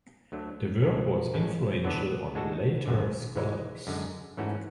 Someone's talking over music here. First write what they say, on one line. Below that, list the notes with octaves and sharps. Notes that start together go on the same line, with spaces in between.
The work was influential on later scholars.
D2 D3 F#3 A3 D4
C#2 C#3 E3 G#3 D4
A1 A2 G#3 C#4 G#4
E2 D3 F#3 B3 D4
A2 G#3 D4 F#4 A4
G#1 F#2 D3
G#2 E3 G#3
F#2 D3 G#3
G#2 E3 A3 C#4 F#4